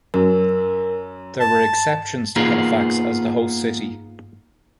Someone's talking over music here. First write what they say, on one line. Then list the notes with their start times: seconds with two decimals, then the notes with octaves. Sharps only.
There were exceptions to Halifax as the host city.
0.14 F#2 A#4
1.40 A5
2.36 A#3 B3 D#4 F4 G#4